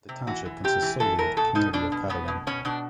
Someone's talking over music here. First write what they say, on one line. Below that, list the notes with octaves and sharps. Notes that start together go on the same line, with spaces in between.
The township consists solely of the community of Cadogan.
C3
E3 F#4
E3
C3 G4
E3
E3 A4
E3 A#4
B2 A4
B2 D#4
B2 D4
B2
B2 B3
B2
B2 C#4
B2 D4